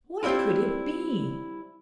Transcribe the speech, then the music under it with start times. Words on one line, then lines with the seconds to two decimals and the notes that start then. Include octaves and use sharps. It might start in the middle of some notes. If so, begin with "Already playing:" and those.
What could it be?
0.23 G3 C4 D4 E4 F4